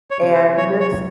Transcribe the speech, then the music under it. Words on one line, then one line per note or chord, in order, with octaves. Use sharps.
and this
C#5
C3
C5
F#3 C#5
C#5
F#3